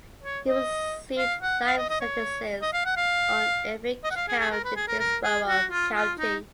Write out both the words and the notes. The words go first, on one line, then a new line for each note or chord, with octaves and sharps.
He received life sentences on every count in Hillsborough County.
C#5
D#5
F5
F#5
F5
D#5
D#5
C#5
D#5
F5
F#5
F5
D#5
F#5
F5
G#4
G#4
A#4
B4
G#4
A#4
A#4
G#4
F#4
F4
F4
D#4